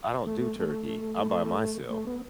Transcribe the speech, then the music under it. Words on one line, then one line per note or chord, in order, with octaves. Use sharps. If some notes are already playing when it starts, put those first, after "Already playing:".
I don't do turkey. I'm by myself,
A3
A3
A3
B3